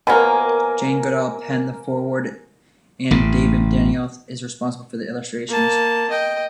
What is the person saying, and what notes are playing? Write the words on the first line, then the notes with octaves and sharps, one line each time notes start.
Jane Goodall penned the foreword and David Danioth is responsible for the illustrations.
B2 F3 A#3 A#4 G#5
A1 C#3
A#3 A5
D#5 G5